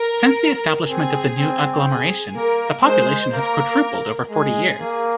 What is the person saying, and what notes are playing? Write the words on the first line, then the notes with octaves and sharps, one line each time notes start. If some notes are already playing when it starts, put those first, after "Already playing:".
Since the establishment of the new agglomeration, the population has quadrupled over forty years.
Already playing: A#4
C4 G#4
C4
G#4
A#3 A#4
G#3 C5
A#3 A#4
G#3 G#4
A#3